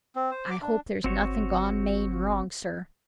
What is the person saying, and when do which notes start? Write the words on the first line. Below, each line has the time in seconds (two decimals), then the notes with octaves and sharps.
I hope there's nothing gone main wrong, sir.
0.15 C4
0.31 C5
0.51 D6
0.62 D4
1.04 G1 C4 F#4 C#5